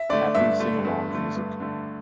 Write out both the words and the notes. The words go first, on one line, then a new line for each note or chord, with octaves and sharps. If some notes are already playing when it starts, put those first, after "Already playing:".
Happy singalong music.
Already playing: E5
D3 A3 D5
G2 E5
D3 A3
G2
D3 A3
G2
D3 A3